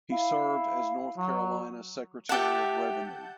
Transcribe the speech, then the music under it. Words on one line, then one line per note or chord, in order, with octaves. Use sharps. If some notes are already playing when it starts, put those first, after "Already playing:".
He served as North Carolina Secretary of Revenue.
E4 F5
F#3
G4 E5 F#5 A5 G6